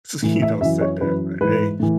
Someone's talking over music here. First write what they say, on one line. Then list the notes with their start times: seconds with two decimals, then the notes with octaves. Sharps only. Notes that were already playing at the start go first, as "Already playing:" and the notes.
s you know, said that." But, hey,
0.22 A2 E3
0.42 E5
0.61 F#2 E3 E5
0.81 C#5
1.01 F#2 E3 B4
1.41 G#2 E3 B4
1.80 A2 E3